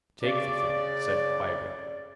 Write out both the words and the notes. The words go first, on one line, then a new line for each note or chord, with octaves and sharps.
"Take the thing," said Kwairyo.
C#3 D5